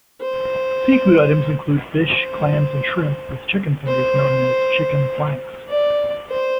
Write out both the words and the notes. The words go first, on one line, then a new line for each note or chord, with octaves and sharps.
Seafood items include fish, clams, and shrimp, with chicken fingers known as "Chicken Planks".
C5
C5
C5
D5
C5